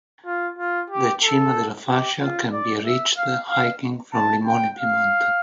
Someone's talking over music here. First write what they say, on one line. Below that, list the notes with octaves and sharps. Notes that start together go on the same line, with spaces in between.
The Cima della Fascia can be reached hiking from Limone Piemonte.
F4
F4
G4
A4
G4
F4
D5
E5
F5
F5
A5
G5
F5